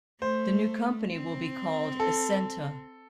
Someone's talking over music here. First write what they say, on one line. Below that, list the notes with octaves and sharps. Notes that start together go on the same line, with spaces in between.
The new company will be called Essenta.
A3 C5
C4
A4